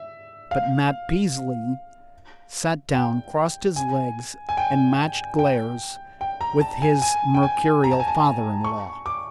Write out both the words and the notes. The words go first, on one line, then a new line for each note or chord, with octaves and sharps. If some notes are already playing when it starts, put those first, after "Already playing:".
But Matt Peasley sat down, crossed his legs and matched glares with his mercurial father-in-law.
Already playing: E5
F5
G5
G#5
G#5
G5
G5
G5
A#5
A5
G#5
G#5
G5
G#5
A#5
A5
G#5
A5
C#6
D6